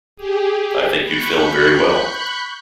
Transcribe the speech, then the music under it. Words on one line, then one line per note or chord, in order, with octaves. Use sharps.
I think you'd film very well.
G4 G#4
B5 C#6 F#6 G6 C#7